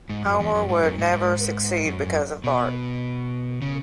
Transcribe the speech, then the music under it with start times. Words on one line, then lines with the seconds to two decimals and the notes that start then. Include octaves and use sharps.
Homer would never succeed because of Bart.
0.09 G#2
0.25 F#2
0.40 E2
0.55 F#2
0.69 G#2
0.83 F#2
0.98 G#2
1.12 G#2
1.85 F#2
2.44 B2
3.62 C#3